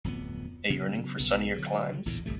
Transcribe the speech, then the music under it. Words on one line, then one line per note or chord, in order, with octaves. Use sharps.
A yearning for sunnier climes?
D1 F2 F3 B3
C#3 F#3 B3
B1 B3
D3 F#3
A#1 E2 A2 D3
G1 C2 C3 A3